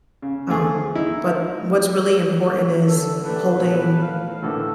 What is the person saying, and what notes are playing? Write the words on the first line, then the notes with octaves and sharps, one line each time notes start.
um, but what's really important is holding
C#3
F3 A3 G#4
D#4 E4
D3 A4
A3 D4 G4 A4 B4
A#2 F3 B3 G4 A4
D#3 A3 F5
A2 D3 E3 A4